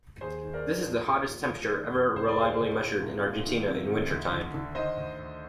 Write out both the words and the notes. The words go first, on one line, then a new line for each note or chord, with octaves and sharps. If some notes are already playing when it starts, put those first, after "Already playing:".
This is the hottest temperature ever reliably measured in Argentina in winter time.
D#2 G#4 C5
D#3
A#4 D5
D#3
A#1
A#1
A#1
G1
D#3
F2
D2 C5
D5
D2 G#4 C5
D2
A#2
C2
A#2
D#3
C3
D#3
D2
D3
D3
D#3 C5 D#5
D2
D2